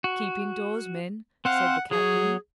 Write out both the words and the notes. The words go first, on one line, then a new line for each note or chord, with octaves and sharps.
"Keep indoors, men," said the captain.
F#4
C4 C5 F5 F#5
F#3 G#4 C#5